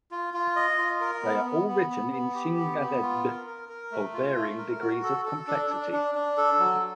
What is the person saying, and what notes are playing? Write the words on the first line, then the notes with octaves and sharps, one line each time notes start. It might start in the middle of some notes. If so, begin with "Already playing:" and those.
They are all written in cynghanedd of varying degrees of complexity.
F4
F4
D#5
F4
A#4
B3
B3
B3
B3
B3
G4
B3
B3
F4
A#4
A#4
A#4
A3
F4
A3
A#4
F#4
A4
A4
D4
D4
D4
D4
A4
F#3